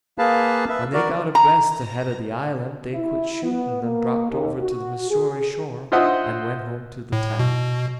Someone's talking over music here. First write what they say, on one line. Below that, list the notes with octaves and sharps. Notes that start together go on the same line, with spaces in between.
When they got abreast the head of the island they quit shooting and dropped over to the Missouri shore and went home to the town.
A#3 G#4 B4 F5 A5
B4 E5
F#4 A#4 D5
A#5
E4
B3
A#3
D#2
F#4
G#4
F4 C5 D#5 E5 F#5 D#6
A2
B2